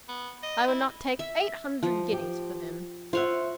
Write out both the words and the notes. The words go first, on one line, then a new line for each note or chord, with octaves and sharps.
I would not take eight hundred guineas for them.
B3
D#5
E4
E5
F3
G4
F4 C5 C#5 E5 F#5